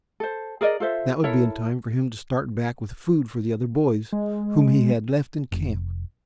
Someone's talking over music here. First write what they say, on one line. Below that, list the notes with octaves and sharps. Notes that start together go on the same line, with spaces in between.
That would be in time for him to start back with food for the other boys, whom he had left in camp.
A4 C5
G#4 A#4 D5 D#5
F4 A4 C5 E5
E4 A4 A#4 C#5
G#3
F1